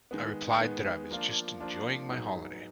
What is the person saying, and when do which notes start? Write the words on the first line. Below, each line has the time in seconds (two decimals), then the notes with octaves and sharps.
I replied that I was just enjoying my holiday.
0.11 D#3 G#3 B3
0.61 D#3 G#3 B3
1.11 F3 A#3 D4 F4
1.60 F3 A#3 D4 F4
2.09 G#2 F#3 B3 D#4 G#4